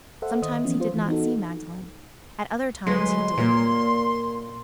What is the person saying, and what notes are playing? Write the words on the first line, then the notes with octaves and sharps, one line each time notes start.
Sometimes he did not see Magdalen; at other times he did.
A4 C5 E5 F#5
D#3 C5 D#5 D#6
E3 F3 B3 C#4
F4 C5
E3
B3 D#4 F#4 A4
D2 F#3 G#3 B4 C6
A#2 A#3 A#4 C#5